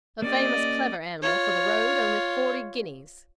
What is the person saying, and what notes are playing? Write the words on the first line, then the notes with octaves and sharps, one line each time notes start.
A famous clever animal for the road--only forty guineas.
A#3 C#4 G4 D5 D#5
F4 C#5